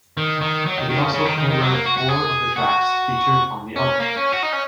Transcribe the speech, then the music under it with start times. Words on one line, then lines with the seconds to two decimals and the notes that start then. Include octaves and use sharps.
He also co-wrote four of the tracks featured on the album.
0.17 D#3
0.41 D#3
0.66 F#3
0.77 D#3
0.90 D#3
1.02 C#3
1.14 C#3
1.25 D#3
1.38 D#3
1.50 D#3
1.61 F#3
1.73 A#3
1.86 F#4
1.97 F#4
2.09 G#4
2.56 F#4
3.76 C#4
4.00 A#3
4.16 C#4
4.32 F#4
4.43 D#4
4.52 C#4